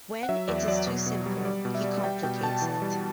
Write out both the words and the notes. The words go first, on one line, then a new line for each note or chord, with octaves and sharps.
When it is too simple, he complicates it.
F#5
F#3 E5
E2 D5
F#3 D5
B2
B2
G3
G3 D5
B2
E5
G3
G3 G5
B2 G5
B2 A5
E3
G3